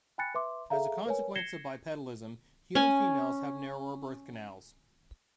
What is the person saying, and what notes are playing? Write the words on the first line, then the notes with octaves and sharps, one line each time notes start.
As a consequence of bipedalism, human females have narrower birth canals.
G5 G#5 B5 F#6 A6 C#7
B4 E5 C6 D6
G#4 A4 E5 F5 A#5
A#4 B4 C#5 G#5
G#6 A#6 C7 C#7 E7 G7
C#4 G#5